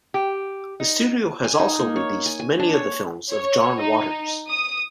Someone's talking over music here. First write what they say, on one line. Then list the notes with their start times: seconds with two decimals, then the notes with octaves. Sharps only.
The studio has also released many of the films of John Waters.
0.14 G4
0.80 D#4
1.44 G#5
1.59 D#4
1.79 A#3
1.96 C#5
2.26 G#5
2.40 G#5
2.60 D4
2.73 C#5
3.30 C#5
3.80 D#4
4.49 D#6